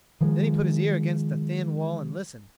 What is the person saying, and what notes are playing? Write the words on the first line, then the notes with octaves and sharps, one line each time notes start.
Then he put his ear against the thin wall and listened.
D#3 F3 G#3